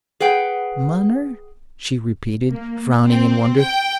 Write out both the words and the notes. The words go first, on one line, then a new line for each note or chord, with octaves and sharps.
"Munner?" she repeated, frowning in wonder.
G#4 B4 F#5 G5
A#3
C4
G5